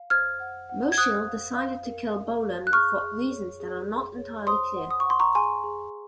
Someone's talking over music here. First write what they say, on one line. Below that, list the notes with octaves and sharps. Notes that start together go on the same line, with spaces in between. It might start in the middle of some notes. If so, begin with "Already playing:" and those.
Mosheel decided to kill Bolon for reasons that are not entirely clear.
Already playing: F5
C5 F6 G#6
F#5
F#5
G#6
C5 D#6 F#6
F5
F5
A#4
F5
F5
F#6
G#4 C#6 F6
G#4
C#5
G#4
G#4
C#5
C5 C6 D#6
F#5
D#6
C#6
F#5 C6
A#5 C#6
G#4 G#5 C6
G#4